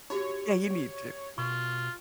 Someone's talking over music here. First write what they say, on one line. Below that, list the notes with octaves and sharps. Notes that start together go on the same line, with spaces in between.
Yeah, you need to.
D#4 F#4 G4 C#5
B2 F4 C#6